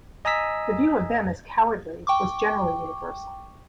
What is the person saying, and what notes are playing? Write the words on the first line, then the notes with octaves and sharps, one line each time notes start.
The view of them as cowardly was generally universal.
D#5 G#5 A#5 D#6 E6 B6
G5 C#6 D6